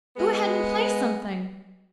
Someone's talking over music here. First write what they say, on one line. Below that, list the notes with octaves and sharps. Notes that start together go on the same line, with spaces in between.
"Go ahead and play something."
G#3 B3